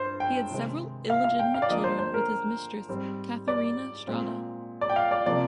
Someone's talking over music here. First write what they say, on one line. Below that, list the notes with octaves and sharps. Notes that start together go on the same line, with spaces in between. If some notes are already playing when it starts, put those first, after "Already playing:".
He had several illegitimate children with his mistress Catherina Strada.
Already playing: G2 C5
G5
C3 D#3 G#3 C4
F5
F5
G5
F5
D5
D3 F3 A#3 D#5
C5
C5
A#4
G#2 G3 C4
D5
A#2 G#3 C4
D5
G5
F5
D5
C3 F3 A#3 D5